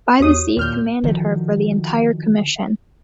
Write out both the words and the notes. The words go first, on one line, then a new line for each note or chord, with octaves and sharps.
Bythesea commanded her for the entire commission.
E2 F#4 G4 C#5 D#6
D#2 A#2 F6 G6
D3 D#3 F3 F#3